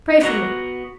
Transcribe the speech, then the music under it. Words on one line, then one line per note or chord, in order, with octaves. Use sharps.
Pray for me!
B3 F#4 A#5